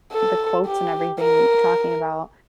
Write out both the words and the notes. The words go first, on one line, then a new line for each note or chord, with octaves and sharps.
the quotes and everything talking about,
A4
G4
A#4